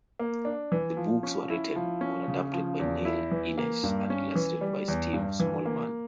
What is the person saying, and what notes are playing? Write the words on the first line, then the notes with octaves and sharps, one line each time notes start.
The books were written or adapted by Neil Innes and illustrated by Steve Smallman.
A#3
D4
E3
F3
C#4
E4
F3
C#4
C#3
F3
E2
E4
E3
A#3
G2
C#4
E3
G3
E2
G2
E3
A#3